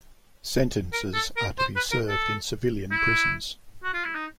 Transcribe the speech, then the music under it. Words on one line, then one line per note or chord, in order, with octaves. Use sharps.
Sentences are to be served in civilian prisons.
A#4
A4
A#4
C5
B4
A#4
A4
E4
F#4
F4
E4
D#4